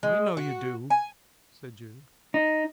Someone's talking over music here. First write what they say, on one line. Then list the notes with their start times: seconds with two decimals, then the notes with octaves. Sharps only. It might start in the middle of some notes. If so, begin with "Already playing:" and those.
"I know you do!" said Jude.
0.03 G#3
0.37 F#4
0.90 G#5
2.34 D#4